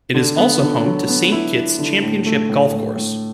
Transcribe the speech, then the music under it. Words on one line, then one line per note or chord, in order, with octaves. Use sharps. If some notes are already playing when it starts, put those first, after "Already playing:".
It is also home to Saint Kitts' championship golf course.
D3
B3
D3
F#3
B3
E4
E4
D3
A2
A3
A2
A2
A2